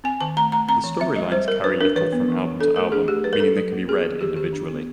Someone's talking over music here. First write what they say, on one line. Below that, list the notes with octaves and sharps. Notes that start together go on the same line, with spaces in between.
The storylines carry little from album to album, meaning they can be read individually.
C4 G#5
D#3 A5
A3 A#5
A3 A#5
C4 A#5
E3
C4 E5
G#3 D#5
G3 C5
G3 A#4
D4 B4
D4 A#4
E3 B4
B3
E3
E3
D4 A4
A3 A#4
D4 G#4
A3 G4
F#3 B4
A#4
C#4 A4
F#3
A#3
B3 G#4
D#3
D#3 G4
D#3 G4
D4
B3